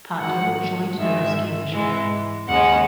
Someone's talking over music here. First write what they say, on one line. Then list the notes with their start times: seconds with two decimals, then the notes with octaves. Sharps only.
Pato joined the rescue mission.
0.19 G#2 D#3 F#3 F#5
0.95 G#2 D#3 G#3 E5
1.72 G#2 E3 G#3
2.48 D#2 C#3 G#3 F#5